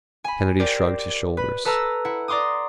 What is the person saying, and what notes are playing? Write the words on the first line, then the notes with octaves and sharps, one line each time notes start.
Kennedy shrugged his shoulders.
G#5 B5
G4 A#4 C5 D5
B4 B5
A4 B4 A5 A#5 E6 F6
E4 F#5
D5 A#5 C6 D6 D#6